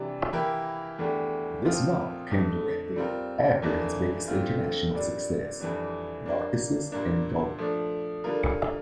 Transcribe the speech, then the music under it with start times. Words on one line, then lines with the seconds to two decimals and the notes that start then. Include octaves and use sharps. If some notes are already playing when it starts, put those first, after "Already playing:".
This novel came directly after his biggest international success, "Narcissus and Goldmund".
Already playing: C3 E3 G3 D4 G4
0.33 E3 A#3 E4 G4 A#4
0.99 E2 E3 A3 D4 G4
1.65 A#2 F3 C4 F4
2.30 F2 D3 A3
2.96 G3 C4 F4 A#4
3.62 F2 E3 A#3 D4
4.28 D3 A3 C4 F4
4.95 A#2 G3 D4
5.60 F2 E3 G3 D4
6.26 G3 A#3 D4
6.92 A#2 G3 A#3 D4
7.59 F3 A3 D4
8.24 D3 G3 A#3 F4 A#4